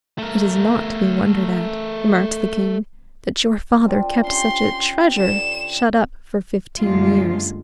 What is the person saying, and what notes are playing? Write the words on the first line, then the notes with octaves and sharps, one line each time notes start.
"It is not to be wondered at," remarked the King, "that your father kept such a treasure shut up for fifteen years."
A3 A#4
C4 D4 F4
C#4 G4 C6
D3 E7
F#2 A#2 D3 G3 G#3 F4